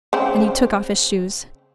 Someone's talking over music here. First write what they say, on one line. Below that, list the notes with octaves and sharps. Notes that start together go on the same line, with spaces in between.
And he took off his shoes.
C#3 C4